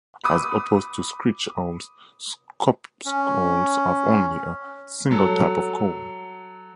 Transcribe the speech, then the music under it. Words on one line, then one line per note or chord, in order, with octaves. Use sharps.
As opposed to screech owls, scops owls have only a single type of call.
B5 D6 D#6
C#4
F#3 A4